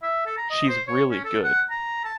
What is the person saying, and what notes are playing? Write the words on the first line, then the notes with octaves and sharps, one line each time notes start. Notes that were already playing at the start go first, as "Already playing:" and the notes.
She’s really good.
E5
A4
A#5
D#5
C5
C#5
C#4
A4
F#5
A#5
A5